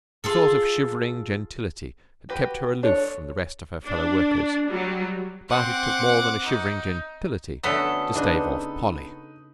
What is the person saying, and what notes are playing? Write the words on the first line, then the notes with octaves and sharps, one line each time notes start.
A sort of shivering gentility had kept her aloof from the rest of her fellow-workers, but it took more than a shivering gentility to stave off Polly.
F4 G#4 A4
F#4 G4 B4
D4 A4 C#5
D4
F#3 G3
C4 F#5 C6 D6
D#4
D3 A3 B3 C#4 F#4 A4
C#3 D4 D#4 B4